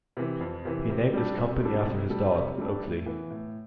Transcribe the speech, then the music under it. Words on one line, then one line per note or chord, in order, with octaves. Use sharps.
He named his company after his dog, Oakley.
C3 E3
F2
C3 E3
C3
G3 D4 A4
C3
G3 D4 A4
C3
G3 D4 A4
C3
G3 D4 A4
A2
E3 B3
A2